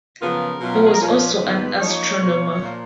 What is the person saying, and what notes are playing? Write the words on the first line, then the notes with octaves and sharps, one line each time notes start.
He was also an astronomer.
F#2 C#3 F3 B3 F4 A#4
B2 F#3 C#4 F4
F#4
G#4
A#4
A#2 F3 A#3 C#4 F4 B4
G#2 D#3 G#3 B3
F#2 F3 A#3 D#4 C#5
B2 A#3 F4
A#2 F3 A#3